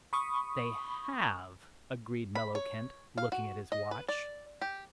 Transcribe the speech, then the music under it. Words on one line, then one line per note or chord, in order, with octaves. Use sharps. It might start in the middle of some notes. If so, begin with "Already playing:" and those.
"They have," agreed Mellowkent, looking at his watch.
B5 C#6 D#6
B5
C#5
F5
F#4
D#5
B4
D5
G4